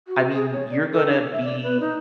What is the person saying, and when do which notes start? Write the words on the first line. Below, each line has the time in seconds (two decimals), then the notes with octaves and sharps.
I mean you're gonna be
0.08 F#4
0.33 G#4
0.53 C#5
0.70 D5
0.92 A4
1.08 D4
1.32 E5
1.44 D5
1.63 B4
1.80 D#4